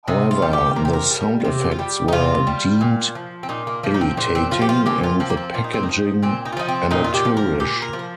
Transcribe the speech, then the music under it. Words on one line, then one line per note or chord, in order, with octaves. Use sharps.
However, the sound effects were deemed irritating, and the packaging amateurish.
C3 D#4
F4
G3
G4
C3 A#4
G4
A#4
G3
F4
C3 G4
F4
G3 G4
D#4
C3 F4
G3
A#2
F3
C4
A#2 D#4
A#3
F3 A#3
D#4
C4
A#2 C4
C4
F3 F4
G4
F4
A#2 G4
F4
F3 C4
A#3
C4
A#2 F4
D#4
C4
D#4
F3
A#2 C4
D#4
F4
F3 D#4
C4
A#2 D#4
F4
G4
F3
A#4
A#2 G4
A#4
F3
A#4